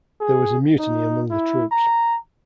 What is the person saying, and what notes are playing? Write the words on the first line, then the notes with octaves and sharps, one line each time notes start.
There was a mutiny among the troops.
G#4
D#4
E4
A#5